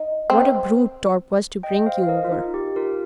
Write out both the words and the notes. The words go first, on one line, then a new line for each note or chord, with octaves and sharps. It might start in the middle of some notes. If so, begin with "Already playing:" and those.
What a brute Torp was to bring you over.'
Already playing: D#4
C4
D#5 G5
C5 F5
F5
A#4 D#5
F4
D#4
G4
F4 A#4